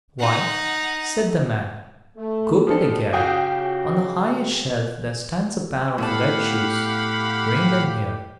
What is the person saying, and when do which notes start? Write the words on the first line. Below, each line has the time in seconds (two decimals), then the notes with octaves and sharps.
"Wife," said the man, "go to the garret: on the highest shelf there stands a pair of red shoes--bring them here."
0.20 D#4 F#5
2.16 A3
2.67 A#2 D#3 F3 G3 A4
3.13 C#3 F#4 G4 F5 G5 D#6
5.98 A2 B3 G4 F5 F#5 A5 B5